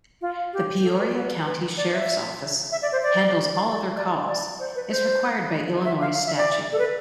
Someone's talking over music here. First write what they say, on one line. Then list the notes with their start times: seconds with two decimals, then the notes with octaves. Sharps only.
The Peoria County Sheriff's Office handles all other calls, as required by Illinois Statue.
0.21 F4
0.53 G4
0.84 A4
1.00 B4
1.15 B4
1.47 B4
1.77 D5
1.93 E5
2.72 E5
2.82 D5
2.92 C5
3.03 D5
3.96 D5
4.28 D5
4.59 C5
4.75 B4
4.91 C5
5.85 E5
6.01 F5
6.26 E5
6.37 D5
6.73 A4
6.79 B4